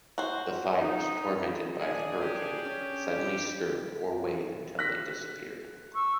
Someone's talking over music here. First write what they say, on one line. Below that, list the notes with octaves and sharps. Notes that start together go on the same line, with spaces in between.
The fires, tormented by the hurricane, suddenly stirred or waned until they disappeared.
F#4 C5
D#4
D4 G#4
G4
C#4
G4
F#6 A#6 B6
C#6 E6